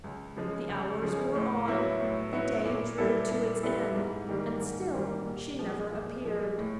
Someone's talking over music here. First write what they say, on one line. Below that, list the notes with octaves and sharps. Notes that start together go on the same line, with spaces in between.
The hours wore on; the day drew to its end--and still she never appeared.
C#2
C#3 F3 G#3
C#2
C#3 F3 G#3
A2
F#3 B3 E4
A2
F#3 B3 E4
A#2
G3 B3 E4 A4
A#2
G3 B3 E4 A4
G#2
D#3 G3 A#3
G#2
D#3 G3 A#3
A#2
F3 G#3
A#2
F3 G#3
A2